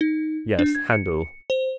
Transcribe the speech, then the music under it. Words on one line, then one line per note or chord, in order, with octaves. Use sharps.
Yes. Handel.
D#4
D4
G#6
C#7
C5